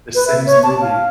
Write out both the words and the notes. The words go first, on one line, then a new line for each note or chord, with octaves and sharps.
The Sims movie
B4
E5
C#5
A5
F5